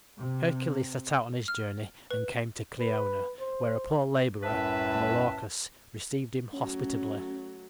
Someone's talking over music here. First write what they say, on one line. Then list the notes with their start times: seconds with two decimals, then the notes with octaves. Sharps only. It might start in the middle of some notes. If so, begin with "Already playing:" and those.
Hercules set out on his journey and came to Kleona, where a poor laborer, Molorchus, received him hospitably.
0.18 C3
1.48 F6
2.11 B4
2.79 B4
3.40 C5
4.43 C2 F#2 A2 B4 E5 A5
6.53 F#3 A3 C#4